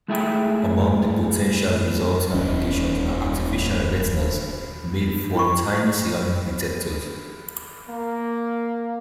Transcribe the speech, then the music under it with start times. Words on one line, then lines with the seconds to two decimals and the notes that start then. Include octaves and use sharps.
Among the potential resulting applications are artificial retinas made from tiny ceramic detectors.
0.08 G#3 A3 E4 G#4 E5 G5
2.34 D#1 C#4
5.35 E4 B5 C#6
7.89 A#3